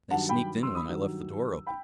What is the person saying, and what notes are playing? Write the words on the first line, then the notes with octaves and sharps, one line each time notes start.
They sneaked in when I left the door open.
G2 D#3 F#3 F#5 A5
G5 B5
C6 E6
B5 D#6
G2 D#3 F#3
G5 B5